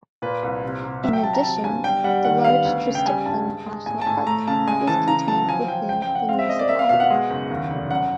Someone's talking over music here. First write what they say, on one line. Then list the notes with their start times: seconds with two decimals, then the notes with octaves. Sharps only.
In addition, the large Tresticklan National Park is contained within the municipality.
0.22 A#2 B4
0.43 C2
0.63 C3
0.83 C3
1.03 F#3 E5
1.13 G5
1.23 F#3 A5
1.33 A#5
1.43 C3 A5
1.64 G1 G#5
1.84 G3 G5
2.04 G3 F#5
2.24 D#3 F#5
2.45 B3 F5
2.65 D2
2.86 C#3
2.95 G5
3.06 G3 G#5
3.26 G2 A5
3.46 G#3
3.66 G#3
3.86 A2 G#5
4.01 A5
4.06 A2 G#5
4.27 A3 A#5
4.47 C#3 A5
4.67 G#3 G#5
4.87 E3 A5
5.08 C#3 A#5
5.28 F#3 A5
5.48 F3 G#5
5.68 F3 G5
5.89 C#2 G5
6.02 G5
6.09 C#2
6.15 F#5
6.29 C4 F5
6.39 E5
6.49 G#3 D#5
6.59 D5
6.69 A#3 E5
6.79 F5
6.89 B2 F5
7.00 F#5
7.10 G#3
7.30 F#1
7.51 D#2
7.70 F1
7.91 F#2 F#5